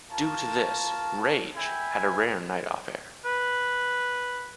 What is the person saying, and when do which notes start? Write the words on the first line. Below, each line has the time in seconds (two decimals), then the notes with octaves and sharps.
Due to this, "rage" had a rare night off air.
0.10 F4 A#4 C#5 A5
1.55 E5 G5 G#5 B5
3.25 B4